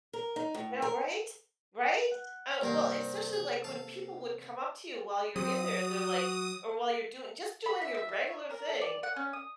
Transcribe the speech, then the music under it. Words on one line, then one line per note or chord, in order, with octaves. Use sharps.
Yeah. Right? Right? Uh, well, especially, like, when people would come up to you while you're in there and they're like or while you're doing just doing your regular thing,
A#4
D#4
A2
A#4
F#5
G2 C3 A#3 A#4 F5
G#4
A4 F5 A5
F#3 C4 D#6
F#4
B5
E5
E5
E5
C#5
A#4
A4
D5
F#5
C#4
D#6